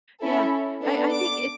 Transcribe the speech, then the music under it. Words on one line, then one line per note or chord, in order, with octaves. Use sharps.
yeah, I I think it's
C#4 E4 A4
B3 D4 A4
D6